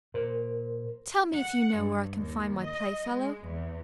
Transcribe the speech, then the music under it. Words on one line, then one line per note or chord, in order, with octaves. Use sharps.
"Tell me if you know where I can find my playfellow."
A#2 A#4 C5
F#5
G2
D#2
D#5
G#3
E2